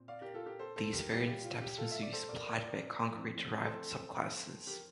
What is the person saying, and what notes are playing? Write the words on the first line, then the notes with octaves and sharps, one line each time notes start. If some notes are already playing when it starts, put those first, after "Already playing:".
These variant steps must be supplied by concrete derived subclasses.
Already playing: A#2 C4
D5 F5
G4 A#4
F4 A4
G4 A#4
A4 C5
A4 C5
G4 A#4
C2 A#2 G3 A#3 G4
G4
F4
G4
F4 A4
E5
D5
A4 C5
A#4 D5
A#4 D5
A#4 D5
F2 E3 A3 C4
D5
A4 C5
G4 A#4